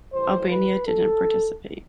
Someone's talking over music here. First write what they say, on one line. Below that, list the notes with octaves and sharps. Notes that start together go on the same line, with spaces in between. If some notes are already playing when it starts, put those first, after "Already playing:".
Albania didn’t participate.
A2 E3 G3 C5
B4
A4